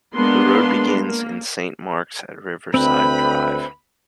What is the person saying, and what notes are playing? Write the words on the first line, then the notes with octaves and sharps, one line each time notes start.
The road begins in Saint Marks at Riverside Drive.
G#3 A#3 B3 D4 B4 C6
A#3
D2 C4 B4 E5 G5 B5